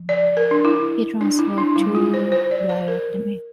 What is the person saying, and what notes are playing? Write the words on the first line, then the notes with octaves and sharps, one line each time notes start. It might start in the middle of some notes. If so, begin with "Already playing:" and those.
He transferred to Blair Academy.
Already playing: F3
D5
A#4
D4
E4
D4
E4
D4
G3 D4 E4
F4
C5
C5
D5
C5
A#4